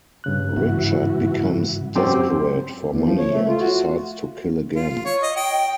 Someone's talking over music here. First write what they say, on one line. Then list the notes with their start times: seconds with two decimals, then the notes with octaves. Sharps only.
Richard becomes desperate for money and decides to kill again.
0.24 G2 C#3 F#6
0.56 G#2 E3 F#4
1.96 F#2 C4 G4 G5 C6 D6
2.89 E2
3.03 F3
3.18 C#5
3.32 A3
3.48 F4
3.61 F#4
4.76 F4
5.05 C#5
5.23 D#5
5.36 G5